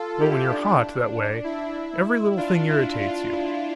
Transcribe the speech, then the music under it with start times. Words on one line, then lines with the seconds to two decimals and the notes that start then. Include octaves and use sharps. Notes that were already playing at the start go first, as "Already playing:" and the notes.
Well, when you are hot, that way, every little thing irritates you.
Already playing: F4 A4
0.20 E4 G4
0.52 D4
1.44 E4
2.37 D4 F4
2.69 E4
3.00 D4 F4
3.31 E4